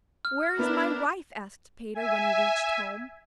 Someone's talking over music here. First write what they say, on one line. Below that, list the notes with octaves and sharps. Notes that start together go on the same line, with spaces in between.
'Where is my wife?' asked Peter, when he reached home.
F6
B3 D4 E4 A#4
E5 G#5